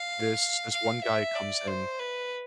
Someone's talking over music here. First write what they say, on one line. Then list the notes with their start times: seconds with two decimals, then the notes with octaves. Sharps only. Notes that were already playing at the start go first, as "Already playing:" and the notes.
this this one guy comes in
Already playing: F5
0.72 F5
1.04 E5
1.36 D5
1.68 C5
1.99 B4